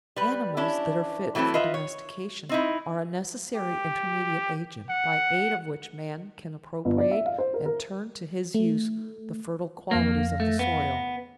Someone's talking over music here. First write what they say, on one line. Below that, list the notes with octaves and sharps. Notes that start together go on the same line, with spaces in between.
Animals that are fit for domestication are a necessary intermediate agent by aid of which man can appropriate and turn to his use the fertile qualities of the soil.
G3 B4
C#4 D4 E4
E3 F#3 A3 C4 E4
F4 B4 D#5 E5
C#5
C4 D#4 E4
G4
F#5
G1
D5
E5
F5
C5
A#4
A#4
A3
F2 A#3 F5 A#6
A3
B3